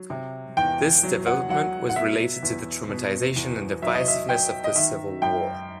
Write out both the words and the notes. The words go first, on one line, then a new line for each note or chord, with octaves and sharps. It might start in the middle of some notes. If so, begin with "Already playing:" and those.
This development was related to the traumatization and divisiveness of the Civil War.
Already playing: F#3
C3
E2 G5
F#3
F#5
F#3 F#5
F#5
B2 E5
E2
B2
E2
F#3 E5
D#5
E5
F#3 G5
D#5
D#3 E5
F#2 G5